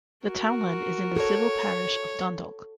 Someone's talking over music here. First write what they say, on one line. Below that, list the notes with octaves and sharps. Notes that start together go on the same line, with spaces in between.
The townland is in the civil parish of Dundalk.
F#4 A#4
A4 C#5